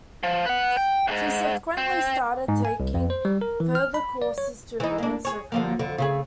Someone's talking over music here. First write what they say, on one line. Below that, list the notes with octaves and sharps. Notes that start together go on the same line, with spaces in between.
She subsequently started taking further courses to advance her career.
F3
B4 F#5
G5
E2 G#2
C4
G#2
G#5
C2
F2
C5
G3
A#4
E3
F6
B5
D5
C#5
E3 D#4
A#3 D4
G#4 C#5
D3 F3 A#3
F2 D3
C#3 A3 G#4